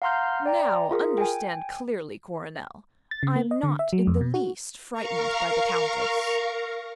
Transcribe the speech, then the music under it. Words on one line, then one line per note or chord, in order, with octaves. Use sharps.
"Now, understand clearly, Coronel, I'm not in the least frightened by the Countess."
F5 F#5 A#5 C6 F6 G6
D5 G5 A#5
F4 G#4 A#4
G5 G#5
A6
C#3
A#3
D#5
D3
E5
F#3
F2
B2
F#4
A#4 F5 A#5 C#6